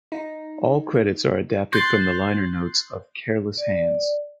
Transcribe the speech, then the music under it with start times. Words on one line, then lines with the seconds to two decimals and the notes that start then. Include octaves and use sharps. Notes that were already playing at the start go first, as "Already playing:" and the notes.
All credits are adapted from the liner notes of "Careless Hands".
0.12 D#4
1.73 C6 F#6 G6 A6 C7
3.57 D5